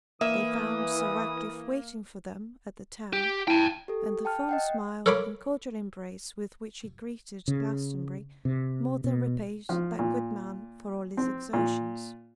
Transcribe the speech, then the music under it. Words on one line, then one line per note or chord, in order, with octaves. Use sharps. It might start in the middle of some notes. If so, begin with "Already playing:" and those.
They found Sir Ratcliffe waiting for them at the town, and the fond smile and cordial embrace with which he greeted Glastonbury more than repaid that good man for all his exertions.
E3 A#3 E5 D#6
G4
E4 G5 A5
G4 A4
G5 A5 F6
D#5 F#5 G5
A4 A#4 C#5 F5 B5 D6
C#3
C3
B2
F3
A#2
C4
A#2